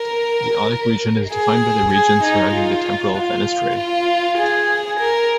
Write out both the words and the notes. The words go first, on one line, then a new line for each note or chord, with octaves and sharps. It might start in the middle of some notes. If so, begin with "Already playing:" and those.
The otic region is defined by the regions surrounding the temporal fenestrae.
Already playing: A#4
G#4
G#4
D#4
F4
F4
F4
G#4
A#4